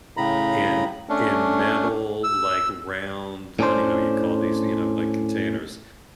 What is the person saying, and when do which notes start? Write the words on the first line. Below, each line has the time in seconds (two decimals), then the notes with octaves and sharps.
in in metal, like, round- I don't even know what you call these- you know, like, containers,
0.17 A2 C#3 A#5 B5
1.09 A3 C#4 D4
2.24 E6
3.59 A2 C#4 D4 C5